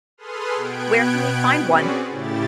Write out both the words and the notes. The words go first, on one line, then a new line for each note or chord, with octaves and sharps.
Where can we find one?
G#4 A4 B4 C6 D#6 F6
B2 B3 G5 F#6 G#6 D7
C4 C#4 F#4 G#4 B4 D5
A2 C#3 E4 G4 A6